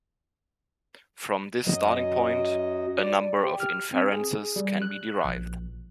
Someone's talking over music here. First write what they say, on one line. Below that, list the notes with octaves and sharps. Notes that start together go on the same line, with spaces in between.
From this starting point, a number of inferences can be derived.
F#2 F#3 D#5
D5
G4
F6
C4
G#4
G3
F#6
A#1